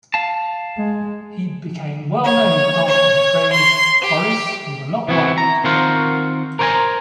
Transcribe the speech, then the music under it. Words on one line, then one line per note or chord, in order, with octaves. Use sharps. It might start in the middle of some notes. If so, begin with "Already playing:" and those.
He became well known after the phrase Boris, you are not right!
F5 A5
G#3
C#5
C#5
C6
G4
E3 B3 C4 E4 F#4
A#5
D#3 C4 F4 F#4 A#4 C5
A#4 C5 C#5 G5 G#5 A#5